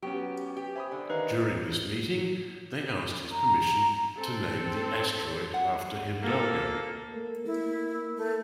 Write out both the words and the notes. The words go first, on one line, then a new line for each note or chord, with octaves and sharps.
During this meeting, they asked his permission to name the asteroid after Hidalgo.
F#3 B3 C#4 G4 B4 C#6
G4 B4
C5 E5 G#5 B5 D6 D#6
D3
D#3 D#4 B4 C#5 F5
A#5
C4 A4
F#5
A#3 A4
A3 A#3
A#3 E4
A3